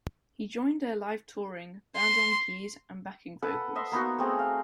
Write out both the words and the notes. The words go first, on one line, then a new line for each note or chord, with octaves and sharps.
He joined their live touring band on keys and backing vocals.
C6
A4 B4 F#5
D#5 E5 C6
A#3 B3 D#4 F#4
A3 C4 G#4
F5